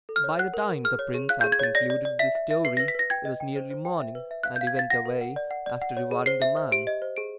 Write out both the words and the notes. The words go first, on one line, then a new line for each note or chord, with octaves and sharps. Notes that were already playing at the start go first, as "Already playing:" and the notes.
By the time the prince had concluded this story it was nearly morning, and he went away, after rewarding the man.
A4
F6
C#5
F#5 F#6
A#4
A#4
G#4 F6
C#5
G#4
F5 F#6
G6
G#4
G#6
C#5 A6
D5 A#6
D5
D5
E5 B6
E5
E5
B4 C7
B4 A#6
B6
B4 A#6
G5 G#6
D#5
G5
C5
C5
G5
E5
B4
E5
F5 F#6
G6
F5
G#6
F5 A6
F#5 A#6
A#4
F#5
D5
F#5
D5
F#5
C#5
G#4
C5 C7
E5
C5
G4 D7
D#5
C5
G#4 D7